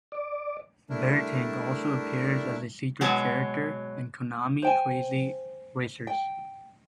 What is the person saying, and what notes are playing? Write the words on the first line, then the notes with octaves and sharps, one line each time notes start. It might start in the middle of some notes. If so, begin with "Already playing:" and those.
Beartank also appears as a secret character in Konami Krazy Racers.
D5
G3 A3 D4 E4 A#4
B2 F#3 G#3
C5 G5 G#5
G5